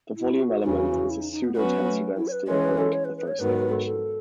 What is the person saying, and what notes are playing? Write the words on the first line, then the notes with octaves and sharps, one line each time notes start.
The volume element is a pseudotensor density according to the first definition.
E4
F#4
E2 C#3 E3 F#4
E4
D#4
D#4
B3
F#3 A3 C#4 F#4 B4
B3
B3
A3
E4
C#5
B4
E3 G#3 C#4 B4
B4
A4
C#5
B4
B4
C#5
G#2 D#3 F#3 B3 B4
B4
A4
A4